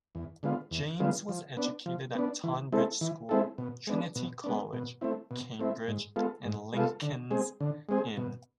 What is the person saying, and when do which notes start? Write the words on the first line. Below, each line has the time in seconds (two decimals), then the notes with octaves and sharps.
James was educated at Tonbridge School, Trinity College, Cambridge and Lincoln's Inn.
0.15 E2
0.43 D3 G#3 B3 F4
0.71 E2
1.00 D3 G#3 B3 F4
1.29 F3
1.57 B3 D4
1.86 F3
2.15 B3 D4
2.44 E3
2.72 G#3 C4 E4 A4
3.01 E3
3.29 G#3 C4 E4 A4
3.58 B2
3.87 G#3 B3 D4
4.15 B2
4.44 G#3 B3 D4
4.73 B2
5.01 A3 C4 E4
5.31 B2
5.59 A3 C4 E4
5.88 G#2
6.16 G#3 B3 F4 A4
6.45 G#2
6.73 G#3 B3 F4 A4
7.02 D3
7.31 G#3 C4 G#4
7.61 D3
7.89 G#3 C4 G#4
8.17 B2